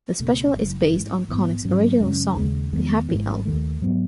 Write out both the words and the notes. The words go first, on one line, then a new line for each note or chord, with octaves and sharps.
The special is based on Connick's original song, "The Happy Elf".
C#2 B2 A3
F#1 F#2 E3
A1 G#2 E3
A1 G#2 E3 B3
G#2 F#3 C#4
F#2 C#3 G#3 C#4
D#2 C#3 G#3
E2 D#3 G#3 B3
G#1 G#2 E3
D#2 D#3 A3
G#2 F#3 B3